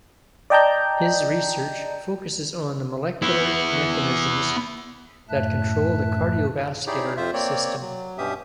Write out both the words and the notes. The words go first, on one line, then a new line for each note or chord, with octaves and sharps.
His research focuses on the molecular mechanisms that control the cardiovascular system.
D5 D#5 G5 A5 A#5 G6
B3 E4
F#2 A2 A3 E5 A5 F#6
D#4 E4 G4 G#4 C#5 D5
F2 F4 C5 E5
A#3 C4 C#5 D5
F#3
G2 B2 C#4 G4 E5 D#6